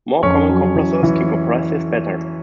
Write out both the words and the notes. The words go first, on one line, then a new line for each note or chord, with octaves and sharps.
More common compressors can compress this better.
F2 C#4 C#5
F#3
E3
E3